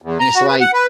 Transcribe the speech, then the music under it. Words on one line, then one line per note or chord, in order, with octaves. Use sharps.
And it's like
E2
A#5
F#4
B4
F#5
B4